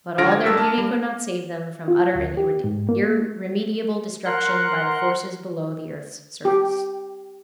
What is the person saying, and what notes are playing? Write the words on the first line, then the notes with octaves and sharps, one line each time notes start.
But all their beauty could not save them from utter and irremediable destruction by the forces below the earth's surface.
C#2 D3 F3 F6 A#6 D7
G#6
G2 A#3 D4 E6
A#3 A5
G3
F4
D2
G4
G#2
A#3
A#4 F#5 C6 F#6
G4